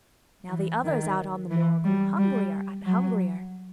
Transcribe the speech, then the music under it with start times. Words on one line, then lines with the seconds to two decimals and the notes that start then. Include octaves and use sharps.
Now the others out on the moor grew hungrier and hungrier.
0.49 E3
0.84 D#3
1.51 E3
1.85 G3
2.18 G3
2.86 F#3